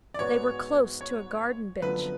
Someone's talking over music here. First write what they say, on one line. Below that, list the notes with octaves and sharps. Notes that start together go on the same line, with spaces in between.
They were close to a garden-bench.
D5
G#2 G#3 B3 F#4 B4 C#5
C#5
F#2 D3 F3 B3 B4